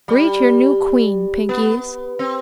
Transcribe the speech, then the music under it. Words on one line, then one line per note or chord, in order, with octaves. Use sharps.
"Greet your new Queen, Pinkies!"
G3
B3
C4